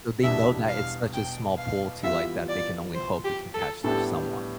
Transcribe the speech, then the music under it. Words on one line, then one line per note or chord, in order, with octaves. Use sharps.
So they know that it's such a small pool too, like, that they can only hope they can catch someone.
E2 B2 G3 B3 D4 E5
F5
G5
F5
E3 G3 B3 F4 E5
D5
C5
G4
A4
A2 G3 B3 D4 G4 A4